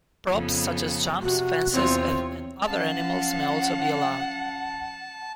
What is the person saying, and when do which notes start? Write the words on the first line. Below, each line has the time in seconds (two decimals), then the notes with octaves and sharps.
Props such as jumps, fences and other animals may also be allowed.
0.31 F2 C#3 B3
1.22 C3 F#4
1.73 E2 C4 F4 C#5
2.67 F3 C#4 F5 F#5 A5